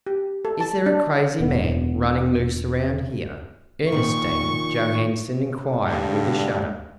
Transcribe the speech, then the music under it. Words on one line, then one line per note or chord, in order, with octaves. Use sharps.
"Is there a crazy man running loose around here?" Ernestine Johanson inquired with a shudder.
G4
A4
A5
D4
E1 B3
A#2 D#3 F3 C#6
G2 D3 G3 G#3 D4